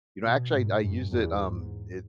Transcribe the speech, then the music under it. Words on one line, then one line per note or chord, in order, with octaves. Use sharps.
you know, actually, I I used it, um, it
B2
G#2
F#2
E2
G#2